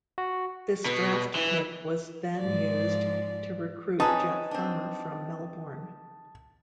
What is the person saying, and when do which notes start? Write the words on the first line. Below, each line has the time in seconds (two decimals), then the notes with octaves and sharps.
This draft pick was then used to recruit Jeff Farmer from Melbourne.
0.18 F#4
0.86 B2
1.35 E3
2.38 G#2 F3 D5
4.00 C4 C#4 D#4 G#4 B4 A5 D#6
4.51 C4 D4